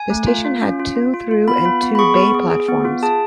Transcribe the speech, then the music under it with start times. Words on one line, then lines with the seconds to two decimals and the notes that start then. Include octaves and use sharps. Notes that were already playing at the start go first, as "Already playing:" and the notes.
The station had two through and two bay platforms.
Already playing: G#5
0.10 A3
0.27 F4
0.45 F4
0.62 C#4
0.80 F4
0.96 F4
1.14 F4
1.31 F4
1.47 B3 B5
1.65 F4
1.82 B3
1.95 B5
1.99 G#4 C#6
2.16 B3
2.34 G#4
2.51 G#4
2.68 B3
2.85 F4
3.02 G#4 A5